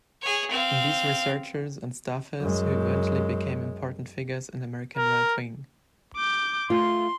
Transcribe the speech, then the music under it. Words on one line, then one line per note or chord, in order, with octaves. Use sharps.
These researchers and staffers who eventually became important figures in American right-wing.
G#4 C#5
C4 F5
F#2 G#3
A#4
D6 G6
A3 F4 C6